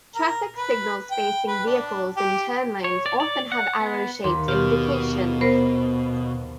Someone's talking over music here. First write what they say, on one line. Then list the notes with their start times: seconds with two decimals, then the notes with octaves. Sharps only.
Traffic signals facing vehicles in turn lanes often have arrow-shaped indications.
0.15 A#4
0.57 B4
1.11 G5
1.48 B4
1.67 D4
2.17 G4
2.84 C#5
3.06 D5
3.20 D5
3.52 F#5
3.80 B3
4.24 D#2 C6
4.48 B2 G4 F6
5.41 B3 A#4 C5